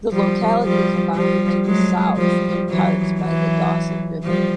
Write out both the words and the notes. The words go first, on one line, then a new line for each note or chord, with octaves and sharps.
The locality is bounded to the south in parts by the Dawson River.
F3 G3
F3 G3
F3 G3
F#3 G#3
F3 G3
E3 F#3
E3 F#3
F3 G3